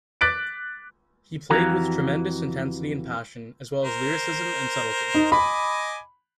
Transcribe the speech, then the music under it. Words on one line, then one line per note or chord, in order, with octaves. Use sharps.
He played with tremendous intensity and passion, as well as lyricism and subtlety.
D6 F#6 A6 B6 D7
F2 E3 F#4 G4 F5 A#5
A#4 C5
D#4
D#5 G#5 B5 D6